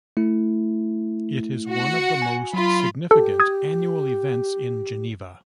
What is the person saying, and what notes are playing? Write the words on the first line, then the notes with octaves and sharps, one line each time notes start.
It is one of the most significant annual events in Geneva.
A3 E4
F#4 F#5
G#5
F#3 F4 B5
G4 A4
D#6 G#6